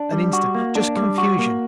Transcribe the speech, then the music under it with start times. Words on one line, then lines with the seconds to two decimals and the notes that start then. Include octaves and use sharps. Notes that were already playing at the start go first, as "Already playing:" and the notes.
An instant--just confusion.
Already playing: D4
0.12 G3
0.33 F#4
0.55 A#3
0.75 D4
0.96 G3
1.18 F#4
1.39 A#3